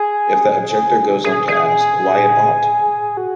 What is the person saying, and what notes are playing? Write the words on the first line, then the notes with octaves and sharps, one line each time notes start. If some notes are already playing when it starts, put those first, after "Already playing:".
If the objector goes on to ask, why it ought?
Already playing: G#4
G#4
G#4
F#4